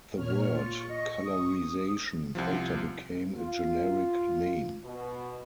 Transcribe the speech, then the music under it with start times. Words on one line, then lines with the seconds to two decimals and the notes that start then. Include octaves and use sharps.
The word "colorization" later became a generic name.
0.15 A#2 C#5 F6
0.53 F4 C#6
0.88 D#5
1.25 D#6
2.35 C2 C3 F3
3.36 F4
4.84 B2